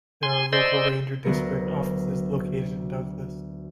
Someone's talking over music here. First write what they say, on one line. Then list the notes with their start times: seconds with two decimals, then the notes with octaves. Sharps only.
There are local ranger district offices located in Douglas.
0.23 G#5 C6
0.53 C5 D5 D#5 C6 E6
1.24 D2 F#3 B3 A#4 C#7